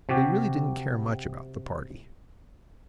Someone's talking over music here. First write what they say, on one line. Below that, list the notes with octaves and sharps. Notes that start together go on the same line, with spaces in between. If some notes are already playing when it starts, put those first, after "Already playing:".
But he really didn't care much about the party.
C3 F#4 G4